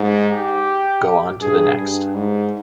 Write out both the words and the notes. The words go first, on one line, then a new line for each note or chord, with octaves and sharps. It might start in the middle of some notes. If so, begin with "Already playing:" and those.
Go on to the next.
Already playing: G#2
G4
G2 G#4
G2
G#2